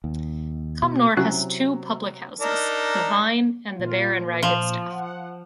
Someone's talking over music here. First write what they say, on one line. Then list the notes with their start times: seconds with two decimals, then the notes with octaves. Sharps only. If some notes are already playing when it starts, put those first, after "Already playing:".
Cumnor has two public houses, the Vine and the Bear and Ragged Staff.
0.04 D#2
0.83 B2
1.17 C3 F#3 C#4 E4 F#4 F#6
2.40 D4 D#4 A#4
3.76 A#2 F4
4.43 F3
4.91 F#5